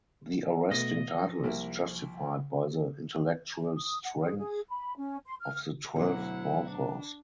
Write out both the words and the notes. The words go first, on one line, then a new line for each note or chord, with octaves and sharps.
The arresting title is justified by the intellectual strength of the twelve authors.
B2 A3 B3 D#5
F3
C2 A#3 E5
D#6
F#5
G#4
G#4
B5
C#4
C6
F6
D2 B2 F#3 E4 F#5
D4